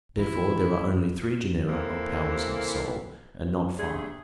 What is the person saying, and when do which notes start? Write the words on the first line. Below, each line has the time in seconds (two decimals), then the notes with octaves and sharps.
Therefore there are only three genera of powers in the soul, and not five.
0.17 E3 E4
1.68 E3 G#3 A#3 C4 A4
3.79 G2 D3 A3 G#4